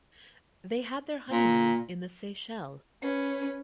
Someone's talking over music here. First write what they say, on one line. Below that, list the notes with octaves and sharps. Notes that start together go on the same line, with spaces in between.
They had their honeymoon in the Seychelles.
A#2
C#4 B4